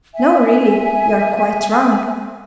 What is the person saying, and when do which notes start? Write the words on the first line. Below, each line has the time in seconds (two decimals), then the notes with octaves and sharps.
'No; really you are quite wrong.
0.15 E5 G#5